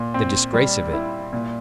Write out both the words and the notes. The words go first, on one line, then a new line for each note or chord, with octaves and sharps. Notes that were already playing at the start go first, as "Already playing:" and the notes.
The disgrace of it!
Already playing: A#2
C4
G3
E4
A#2